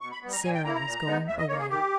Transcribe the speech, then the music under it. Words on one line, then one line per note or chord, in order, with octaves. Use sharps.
Sara was going away.
B2 C#6
B5
G3 B3
A#5
A#2 G#5
G5
A#3 E4 A#5
A#5
A#2
G#3 B3 D#4
D#2 E5
D#5
D#3 A#3 C#5
G#4
D#3 G4